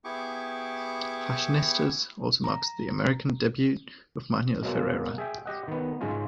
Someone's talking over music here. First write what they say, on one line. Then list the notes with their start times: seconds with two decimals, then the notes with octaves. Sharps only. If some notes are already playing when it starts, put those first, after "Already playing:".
"Fashionistas" also marks the American debut of Manuel Ferrara.
0.04 B3 E4 G4 G#4 C#6 D6
2.44 A#5
4.63 B2 F#3 G#3 A#3
5.18 G#4 E5 G5
5.46 G4 D#5 F#5
5.68 D#3 B3
6.01 G#2 C#3 G#3 C#4 F4